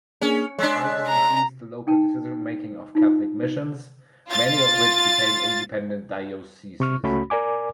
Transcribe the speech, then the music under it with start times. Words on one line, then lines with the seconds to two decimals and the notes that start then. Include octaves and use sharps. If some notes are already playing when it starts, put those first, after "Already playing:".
Pius increased the local decision-making of Catholic missions, many of which became independent dioceses.
0.21 A#3 C#4 D4 G#4
0.59 G#3 D4 C#5 E6 B6
1.07 A#5
1.87 D#4 G5 A5
2.95 D#4 F4
4.31 F4 A6
6.80 C3 C#6 F6
7.03 C#2 A3 C#4 F#4 B5
7.30 A#4 D5 G#5 D6